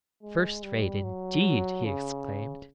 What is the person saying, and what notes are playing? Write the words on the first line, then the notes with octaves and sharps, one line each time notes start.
'First rate, indeed!' he exclaimed.
G#3
G3
F#3
C#3